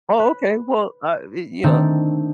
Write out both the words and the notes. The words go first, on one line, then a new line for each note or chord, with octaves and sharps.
oh, okay, well, uh, y you know, eh
B4
D#3 A3 C4 D4